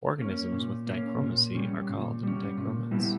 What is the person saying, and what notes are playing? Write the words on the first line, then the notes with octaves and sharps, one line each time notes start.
Organisms with dichromacy are called dichromats.
A#3 C#4
A#2
A#3 C#4
A#2
G3 C#4
A#2
G3 C#4
A#2
G3 B3 E4